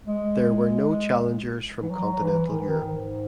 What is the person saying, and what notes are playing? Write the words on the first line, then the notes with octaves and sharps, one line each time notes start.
There were no challengers from continental Europe.
G#3
E3
F#3
F#3
E3
D#3
E3
D#3
G#2